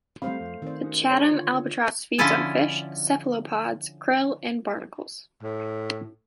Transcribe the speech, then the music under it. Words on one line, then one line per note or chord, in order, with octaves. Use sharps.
The Chatham albatross feeds on fish, cephalopods, krill, and barnacles.
G3 A3 C4 C5 F5 B5
F2
D#3 C4 C5 D5
C#4 D#4 F#4
D4 G#4 C#5 A#5
D3 F4
D3 F3 C#4 E4 A4 G#5
A2